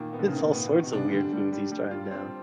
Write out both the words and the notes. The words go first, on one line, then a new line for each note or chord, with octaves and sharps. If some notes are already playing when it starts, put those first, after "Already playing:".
it's all sorts of weird foods he's trying now.
Already playing: A#2 D#3 A#3
B3
D3
C#3
C3 D#3
B2
A#2 B3
B2
D#3
C3
C#3 D4
D3 G3
G3
G3
G3
F4
C4